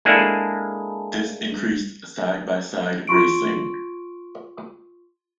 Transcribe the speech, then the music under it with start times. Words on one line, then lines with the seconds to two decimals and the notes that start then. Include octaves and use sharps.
This increased side-by-side racing.
0.05 G#3 A#3 D4 E4 G#4 A4
3.07 F4 C6 C#6 D7